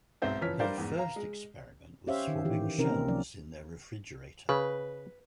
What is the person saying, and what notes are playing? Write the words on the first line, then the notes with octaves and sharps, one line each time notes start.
Her first experiment was swabbing shelves in their refrigerator.
B1 G#2 C4 C5 E5
F#1 E3 F3 C#5 F6 B6
G3 D4 A#4 C5 D5 F5
E2 G#2
F5 A#5
G#3
C#4 G4 C5 C#5 E5 F5
D#3
E3 G4
C3 C4 C#4 D#4 A#4
A#3
F3 F#3 C#4 D5
C#3 B4